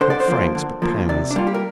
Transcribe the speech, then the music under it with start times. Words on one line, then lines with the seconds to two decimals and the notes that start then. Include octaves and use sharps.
Not francs, but pounds!
0.01 D3 C5
0.10 D5
0.20 C5
0.28 F3 A#3
0.55 D3
0.82 F3 A#3
1.09 C3 D5
1.31 D4
1.36 G3 A#3 F4
1.47 G4
1.54 A#4